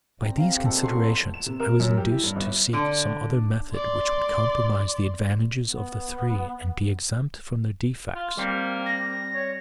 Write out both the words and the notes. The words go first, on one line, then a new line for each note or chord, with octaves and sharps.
By these considerations I was induced to seek some other method which would comprise the advantages of the three and be exempt from their defects.
C4 D5 G5 A#5
C3 F5 A#5
G4 F#5
A#2 G#3 A4
A2 F#3 C6 C#6
A#2 B3
E7
C3
A#4
F#2
G4
E4
G2
G1
D3
D5 C6
B3
F4
G3 A#3 C4
A#6
C#5